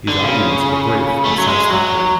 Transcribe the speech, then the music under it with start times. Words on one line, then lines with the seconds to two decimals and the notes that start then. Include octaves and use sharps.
His arguments were brief but satisfactory.
0.08 D3
0.23 C#3
1.25 A3
1.38 F#3
1.48 G#3
1.70 F#3